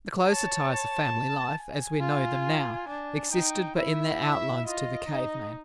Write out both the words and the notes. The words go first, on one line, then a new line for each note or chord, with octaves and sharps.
The closer ties of family life, as we know them now, existed but in their outlines to the cave man.
C#5 A5
A5
G#5
F4
D4
D#4 G5
E4 E5
E5
F4 D#5
D#4